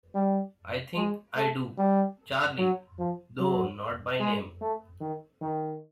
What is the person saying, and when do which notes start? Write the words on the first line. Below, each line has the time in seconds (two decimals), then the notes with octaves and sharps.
I think I do, Charley, though not by name.
0.15 G3
0.96 G#3
1.37 A3
1.78 G3
2.58 F#3
2.99 F3
3.39 F#3
4.20 G#3
4.61 A3
5.01 D#3
5.41 D#3